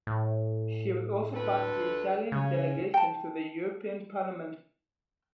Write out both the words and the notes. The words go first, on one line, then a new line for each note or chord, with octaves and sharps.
She was also part of the Italian delegation to the European Parliament.
A2
D2 A4 B4
C#3 C#4
G5 A5